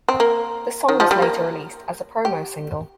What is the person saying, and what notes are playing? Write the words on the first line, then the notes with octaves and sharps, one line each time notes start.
The song was later released as a promo single.
C4
A#3
D#3
F3
G3
A#3
G4